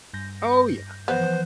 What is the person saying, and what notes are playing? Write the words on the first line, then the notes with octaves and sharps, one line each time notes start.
Oh, yeah.
G2 G6 A#6
E3 F3 B3 B4 C5